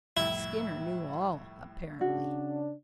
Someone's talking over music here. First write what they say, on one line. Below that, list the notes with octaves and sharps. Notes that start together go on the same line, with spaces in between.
Skinner knew all, apparently.
C2 F2 A2 E4
C#3 D4 F#4